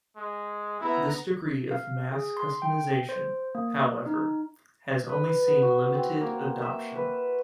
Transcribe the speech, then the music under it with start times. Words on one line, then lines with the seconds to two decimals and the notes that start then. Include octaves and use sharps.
This degree of mass customization, however, has only seen limited adoption.
0.16 G#3
0.81 B3 E4 A#5
1.71 F5
2.12 G#4
2.37 C6
2.62 G5
3.09 C5
3.55 A#3
4.06 D#4
5.09 B4
5.47 B3
5.62 F#4
5.94 C4
6.21 A#3
6.62 E5
6.95 B4